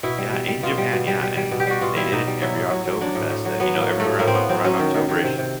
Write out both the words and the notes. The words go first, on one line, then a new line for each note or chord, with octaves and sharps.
Yeah, in Japan, yeah, and they did it every Oktoberfest that, you know, every around around October-ish,
B2 E4
G3
G3
G3
B2 F4
G3
B2
G3
G3
G3
B2
G4
G3 F#4
B2 F4
G3 E4
B2 D#4
G3
F#3 E4
A2
F#3
F#3
F#3 D4
A2
A2
F#3
F#3 B3
A2
A#3
F#3
A2 A3
A2 A#3
C4
A2 B3
F#3 C4
F#3 C#4
D#3
D#3
D#3
C3
C3